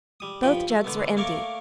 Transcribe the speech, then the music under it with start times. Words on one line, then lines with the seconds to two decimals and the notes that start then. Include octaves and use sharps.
Both jugs were empty.
0.20 G3 D#6
0.43 G2 F3 G5 B5 D#6
0.70 A3
0.84 D3 A3 B3
1.17 A3 A#3 A#4 C#5 D5 F5